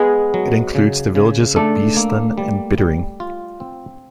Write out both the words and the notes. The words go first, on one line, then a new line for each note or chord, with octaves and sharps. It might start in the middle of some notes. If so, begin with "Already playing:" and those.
It includes the villages of Beeston and Bittering.
Already playing: G#3 B3 G#4
F#3
C#3
C#3
A3 D4 A4
A#3
G3
G3
F4
C4